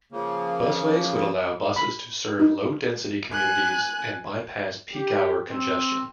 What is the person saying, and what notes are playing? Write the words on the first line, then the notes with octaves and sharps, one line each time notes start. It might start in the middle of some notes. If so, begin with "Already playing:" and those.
Busways would allow buses to serve low-density communities and bypass peak hour congestion.
C#3 F3 A#3
B5
D#4
G#5 F#6
G4
C4